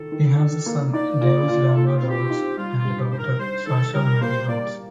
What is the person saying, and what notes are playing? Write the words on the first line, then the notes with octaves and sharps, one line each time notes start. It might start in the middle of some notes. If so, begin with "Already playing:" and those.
He has a son, Davis Lamar Rhodes, and a daughter, Sasha Marie Rhodes.
Already playing: D#3 A4
D#3
D4
A#3
D#4 D5
A#2
A#2
A#2 A4
G4
F4
C4
G4
D#4
G3 F4
F4
G2
G4
G2 C5
A#4
G3 C5
D#3 A4
G3 A#4
A#3 C5
A#3 D5